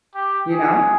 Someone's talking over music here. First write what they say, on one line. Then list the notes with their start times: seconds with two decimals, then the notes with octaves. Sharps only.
you know?
0.15 G4
0.51 G#4